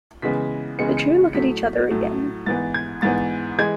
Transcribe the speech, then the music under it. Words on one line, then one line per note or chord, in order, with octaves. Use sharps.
The two look at each other again.
C#3 E3 G#3 B3 B6
C#3 E3 G#3 B3 C#7
C#7
A2 F#3 A3 B6
A2 F#3 A3
G#2 E3 B3 A6
G#6
G#2 E3 B3 A6
E3 G#3 G#6